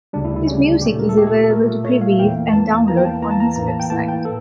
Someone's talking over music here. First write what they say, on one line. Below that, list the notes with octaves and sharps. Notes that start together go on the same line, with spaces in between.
His music is available to preview and download on his website.
D2 C#3 G3 D4
E4
E4
D2 C#3 G3 C#4
D4
A#2 A3 G4
A#4
A4
A#2 A3 G4
A4
A4
A#2 A3 A#4
A#2 A3 C#5
F5
E2 E3 A#3 G5
E2 E3 A#3 A5
A5
E2 E3 A#3 A#5
G5
A5
E2 E3 A#3 A#5
A5
A#5
A2 E3 A#3 A#5
A5
G5
A2 E3 A#3 A5
G5
A4